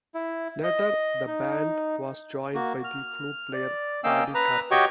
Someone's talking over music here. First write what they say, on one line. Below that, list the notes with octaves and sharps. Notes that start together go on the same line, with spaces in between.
Later the band was joined by the flute player Paddy Carty.
E4
D#5
D#4
A#3 F#4
F6
D5
A#3 C#4 D#5 F5 G5 E6
B4 A#5
F#4 G4 C#5 D#5 G5 C#6